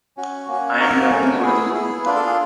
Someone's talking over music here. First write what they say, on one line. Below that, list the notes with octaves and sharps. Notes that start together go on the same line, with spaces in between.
I am learning Urdu.
C#4 F#4
A#3 C#4 F#4
A#3 D#4 F#4 A#4
A3 C#4 F#4
B3 E4 G#4
B3 E4 G#4
A#3 D4 F4 B4
A4
G#4